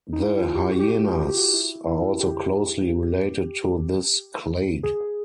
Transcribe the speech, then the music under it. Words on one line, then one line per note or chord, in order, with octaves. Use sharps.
The hyenas are also closely related to this clade.
D#4
E4
F4
G4
F#4
G4
F#4
G4
F#4
G4
F#4
G4
F#4
E4
E4
G4
G#4
G#4